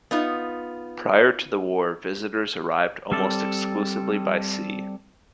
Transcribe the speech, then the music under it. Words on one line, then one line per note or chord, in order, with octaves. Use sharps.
Prior to the war, visitors arrived almost exclusively by sea.
B3 D#4 F4
G3 C4 A4 D5